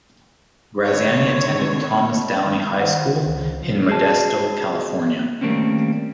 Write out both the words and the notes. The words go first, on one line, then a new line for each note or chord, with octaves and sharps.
Graziani attended Thomas Downey High School in Modesto, California.
D3 D#3 C4 C#5
D#3
C5 F#5
C#2
F3
F#4 G#4 D#5 A5
D#3 G3 A3 A#3 C4 C#4